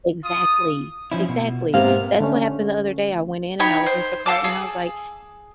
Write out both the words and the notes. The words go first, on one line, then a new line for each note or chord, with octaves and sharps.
Exactly. Exactly. That's what happened the other day. I went in and I was Instacart-ing and I was, like,
F4 D#6
F3 C#4 E4
B2
G#2 C3 A#3 B3 F5
D3 A3 C#4
D#4 C#5 G5 B5
C5
A4 F5 A5 D6
G#4